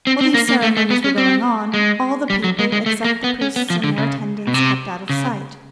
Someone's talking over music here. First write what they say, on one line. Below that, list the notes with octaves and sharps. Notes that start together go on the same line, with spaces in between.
While these ceremonies were going on, all the people except the priests and their attendants kept out of sight.
C4
C4
A#3
A#3
A3
A3
B3
C#4
C4
G#3
G3
F#3
G#3
G#3
A3
A#3
B3
C#4
B3
F3
D3
C#3
B2
C3
C#3